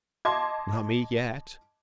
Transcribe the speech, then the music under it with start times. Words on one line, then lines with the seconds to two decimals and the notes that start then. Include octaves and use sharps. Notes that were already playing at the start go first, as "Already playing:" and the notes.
Not me, yet.
0.25 D#5 A5 C6 D6 G#6